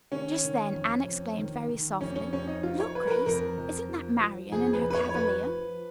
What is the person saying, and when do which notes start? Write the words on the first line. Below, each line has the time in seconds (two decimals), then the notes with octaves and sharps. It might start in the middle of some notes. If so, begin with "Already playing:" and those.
Just then Anne exclaimed very softly, "Look, Grace, isn't that Marian and her cavalier?"
0.12 D#3 C#4
0.44 D#3
0.75 F2
1.06 F2
1.38 D#3
1.69 D#3
2.01 F2 C#4
2.16 C#4
2.33 F2 C#4
2.48 D#4
2.63 F3 F4
2.80 C#5
2.95 F3 B4
3.07 A#4
3.11 B4
3.26 F2 A#4
3.58 F2
3.89 F3
4.21 F3
4.52 F2 G#4
4.73 B4
4.83 F2
4.90 B4
4.95 C#5
5.09 C#5
5.15 F3 B4
5.47 F3